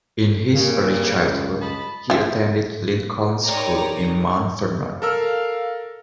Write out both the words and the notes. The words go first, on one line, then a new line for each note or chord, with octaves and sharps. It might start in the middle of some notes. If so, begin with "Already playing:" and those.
In his early childhood he attended Lincoln School in Mount Vernon.
C#3 G3 A#3
C#2
D#5 A5 B5
F4 E5
D#4 G4 A#4 C#5 D5 A#5
A4 A#4 F5 E6